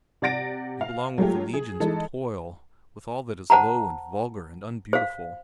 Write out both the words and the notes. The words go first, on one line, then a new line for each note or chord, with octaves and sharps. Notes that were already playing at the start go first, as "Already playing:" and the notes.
You belong with the legions of toil, with all that is low, and vulgar, and unbeautiful.
C3 D5 F#5 A6 A#6 D7
F5
F#3 G#3 A3 F4 G4
G#4
E3 G#3 D#4 A4
C5 F#5 A5 A#5
C5 F5